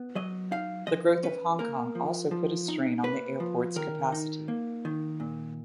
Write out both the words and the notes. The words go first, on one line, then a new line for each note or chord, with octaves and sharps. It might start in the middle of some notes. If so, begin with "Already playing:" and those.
The growth of Hong Kong also put a strain on the airport's capacity.
Already playing: B3
F#3 D#5
D#4 F5
F3 D#5
C#4 B4
A#3 A#4
F3
F3
D#4
A#3 B4
F3
D#3 A#4
D#4
A#3
D#3
A#2